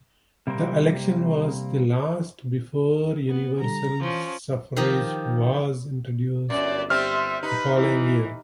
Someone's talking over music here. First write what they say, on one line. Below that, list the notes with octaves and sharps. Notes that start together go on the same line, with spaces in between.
The election was the last before universal suffrage was introduced the following year.
C3 G3 A#3 C4 A#4
B3
D3 G3 A4 A#5
E3 F3 C#4
D#3 F3 D#4 G4
G1 F#2 D5
G3 C4 E5 F6
D#4 B4
E3 E4